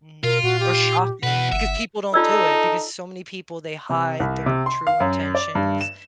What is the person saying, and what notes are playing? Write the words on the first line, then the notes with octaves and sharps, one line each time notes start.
Mhm. Or shocking because people don't do it because so many people, they hide their true intentions.
B2 F4 A#4
A#2 F#4
G4
E2 B2 B4 F#5
G1 E5
D#4 F4 A4 D5 E6
C3
C2
C3
C6
F5
F#2
D5
G2
E7